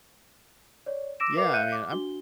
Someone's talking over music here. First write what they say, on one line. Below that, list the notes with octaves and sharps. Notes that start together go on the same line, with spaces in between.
Yeah, I mean, I'm
C#5 D5
D6 E6 A#6 D7 E7
A#4 B4 E5 D6 C7 F7
E5 F5 F#6 G6 C#7 D#7
D6
D4 F#4 G7